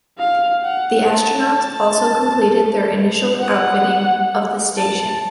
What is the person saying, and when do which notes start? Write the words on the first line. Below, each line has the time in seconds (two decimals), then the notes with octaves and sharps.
The astronauts also completed their initial outfitting of the station.
0.18 F5
0.64 F#5
1.10 A5
1.56 A5
3.39 F#5
4.77 A5